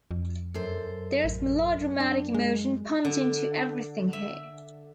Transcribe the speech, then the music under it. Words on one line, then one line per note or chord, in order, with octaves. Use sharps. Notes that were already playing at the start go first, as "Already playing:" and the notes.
There's melodramatic emotion pumped into everything here.
F2
F#2 A4 C5
A1
D4
G#3
D3
E5